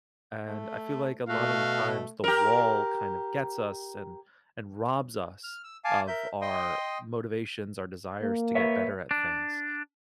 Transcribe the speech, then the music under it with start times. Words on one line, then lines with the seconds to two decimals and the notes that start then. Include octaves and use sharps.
and I feel like a lot of the times, the wall kind of gets us and and robs us of our motivations our desires to get better at things,
0.47 A3
1.29 B2 A3 F#4 F5
2.24 G4 A#4
5.43 F6
5.64 E6
5.84 F5 G#5 A5 D6
6.08 A#4 E5 G6
6.42 D#5 G5 C6 D#6
8.22 A#3
8.55 B4 C#5 E5
9.11 D4